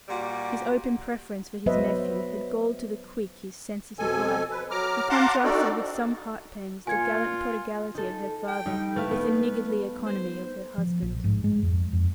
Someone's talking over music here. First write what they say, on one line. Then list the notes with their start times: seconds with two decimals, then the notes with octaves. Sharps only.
His open preference for his nephew had galled to the quick his sensitive wife, who contrasted with some heart-pangs the gallant prodigality of her father with the niggardly economy of her husband.
0.09 A#2 G3 F#4
1.66 F#3 B3 B4 C5 D#5 E5
3.99 F2 B2 F3 A4 G#5
4.51 B4
4.71 F#3 A#5 D6 F6
5.10 F5 F#5 A5 A#5 C6 D6
5.44 C4 D4 D#4 F#4 A4 D5
6.87 A#2 F4 G#5 G#6 C#7
7.95 D#4 A4
8.48 G5
8.66 G3 D#4
8.96 A3 E4 B4 F5
9.11 B3 D#4
10.06 C5
10.78 F3
11.02 A#1
11.24 G#2
11.44 G#3
11.63 F2
11.93 F2